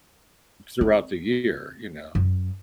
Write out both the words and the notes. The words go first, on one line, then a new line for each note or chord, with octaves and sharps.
throughout the year, you know?
C4
F#2